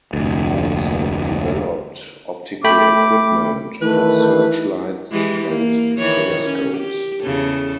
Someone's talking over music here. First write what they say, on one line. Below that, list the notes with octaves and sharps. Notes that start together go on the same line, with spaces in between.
He also developed optical equipment, for searchlights and telescopes.
F1 D2
A3 G5 B5 D6
D#3 E3 A3 B4
E3 G#3 G4
A#3
D#3 E3 C#5
C#4
G4
E2 C#3 A4